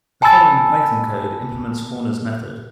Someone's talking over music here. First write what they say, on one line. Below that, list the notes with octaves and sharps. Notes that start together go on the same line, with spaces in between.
The following Python code implements Horner's method.
G#5 A5 B5 E6 A6